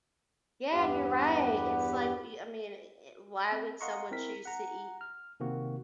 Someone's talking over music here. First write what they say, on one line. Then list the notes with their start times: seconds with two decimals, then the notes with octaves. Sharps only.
Yeah, you're right. It's like, y I mean, e e why would someone choose to eat
0.72 E2 G2 B3 G4 B4
3.52 C4
3.81 D#5 F5 F#5 A#5 C6 C#6
4.11 C4 E4 A#4 B6
4.45 F#5 A#5
5.01 F6
5.40 C3 D#3 A#3 C4 F#4